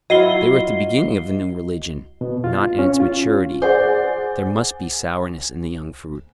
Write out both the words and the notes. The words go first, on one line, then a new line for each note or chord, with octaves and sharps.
They were at the beginning of the new religion, not in its maturity; there must be sourness in the young fruit. ...
F#3 E4 F4 D#5 C7 G7
B2
F4
C#4
F4
G#4 C5 D5 F#5